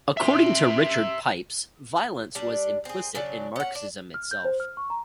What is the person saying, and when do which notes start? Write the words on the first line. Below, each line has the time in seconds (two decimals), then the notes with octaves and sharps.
According to Richard Pipes, violence was implicit in Marxism itself.
0.17 E5 C6
2.35 G3 D4
2.85 C4 G#4
3.15 C#3 F#3 D4
3.56 C#4 F#5
3.75 D4
4.14 F6
4.31 G6
4.45 C5
4.60 F6
4.77 C#6
4.90 A#5